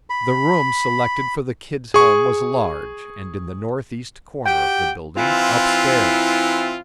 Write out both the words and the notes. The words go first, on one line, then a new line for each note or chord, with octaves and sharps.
The room selected for the "Kid's" home was large, and in the northeast corner of the building, upstairs.
B5
G#4 C#6
F#4 G4 G5
E3 C4 E4 F4